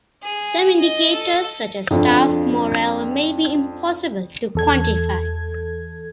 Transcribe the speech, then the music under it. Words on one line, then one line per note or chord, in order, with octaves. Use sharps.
Some indicators such as staff morale may be impossible to quantify.
G#4
D#5
A4
F2 D4 F4
E2 A4 G#6